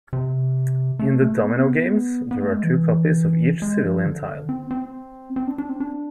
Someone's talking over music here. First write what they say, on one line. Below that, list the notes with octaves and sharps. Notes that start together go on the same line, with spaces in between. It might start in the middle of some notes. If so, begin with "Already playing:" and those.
In the domino games, there are two copies of each Civilian tile.
C3
A3
A3
B3
B3
A3
G#3
E3
G#3
F3
D3
C4
C4
C4
D4
D4
C4
D4